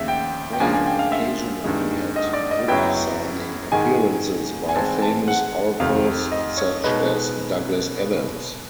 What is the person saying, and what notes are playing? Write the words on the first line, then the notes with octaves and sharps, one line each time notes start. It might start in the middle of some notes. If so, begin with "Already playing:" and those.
They occasionally had book signing appearances by famous authors such as Douglas Adams.
Already playing: D#2 C#3 F3 E5
G5
G5
C#2 C#3 F3 A#3 D4 G#5
G#5
G5
F5
E5
G2 D#3 G#3
D#5
D5
D#5
F#2 C#3 F#3 B3 E4 G5
G#2 D#3 G#3 G#5
G#5
G#2 E3 G#3 C4 A5
A5
F#5
F2 C3 D#3 F5
D#5
C#5
B2 G#3 B3 D#4 B4